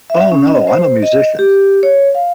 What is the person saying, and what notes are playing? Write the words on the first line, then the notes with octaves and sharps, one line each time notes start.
Oh, no, I'm a musician.
E5
C#4
D#5
C5
D#5
G4
C#5
F5